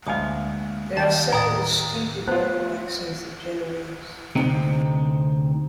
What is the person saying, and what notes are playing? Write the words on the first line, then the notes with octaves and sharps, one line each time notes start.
There are several distinctive local accents of Genoese.
D2 G#3 A#3 D#5 F5 G#5 D#6
D#2 A5
A2 G5 A#5 D#6 A6
A3 B3 F4 C5
D2 C3 C4 D#4